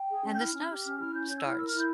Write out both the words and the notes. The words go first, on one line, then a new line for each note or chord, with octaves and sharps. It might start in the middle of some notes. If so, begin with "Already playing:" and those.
and the snow s starts,
Already playing: G5
G#4
C#4
G6
E4 F6
C#4
G4
C#4
E4 F6
C#4 G6
C#5 G6
E6
E4 F6
A#4 E6
F6
E4
G6